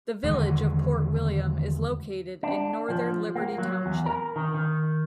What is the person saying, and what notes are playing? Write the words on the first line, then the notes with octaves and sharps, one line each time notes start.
The village of Port William is located in northern Liberty Township.
E2 D3 D#3 G#3
D4
F3
A#3
F#3
E2
A#4
D#3
D#3